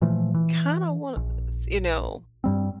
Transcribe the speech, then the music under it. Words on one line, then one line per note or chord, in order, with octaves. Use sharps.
kinda wanna s you know,
A#2 E3 F3 A3
E3
A#1
G2 G3 C4